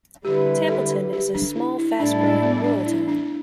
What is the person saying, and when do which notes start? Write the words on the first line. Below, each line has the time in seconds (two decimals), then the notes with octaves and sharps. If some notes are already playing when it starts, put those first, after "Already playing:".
Templeton, is a small, fast growing, rural town.
0.25 D3 G3 E4 G4 B4
0.68 A4
1.13 G4
1.35 D4
1.56 E4
1.78 E4
1.99 A2 G3 D4 E4 A4 D5
2.21 D4
2.43 B3
2.64 D4
2.86 E4
3.08 D4